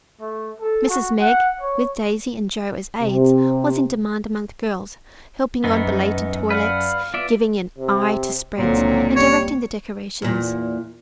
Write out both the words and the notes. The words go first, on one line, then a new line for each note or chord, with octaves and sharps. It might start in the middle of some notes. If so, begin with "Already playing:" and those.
Mrs Meg, with Daisy and Jo as aides, was in demand among the girls, helping on belated toilettes, giving an eye to spreads, and directing the decorations.
A3
A4
F#4
F#5
C#5
C3
F#2 B3 D#4 B4
B4 D5 F5 F#5
B3 F4 D5 E5
C3
C#2 A#2 D3 F#3 C4
G3 C#5
E2 A#2